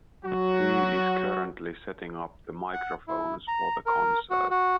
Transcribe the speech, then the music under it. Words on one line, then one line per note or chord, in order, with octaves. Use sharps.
He is currently setting up the microphones for the concert.
F#3 F#4
F#5
E4
A#5
A#4
F#4
F#4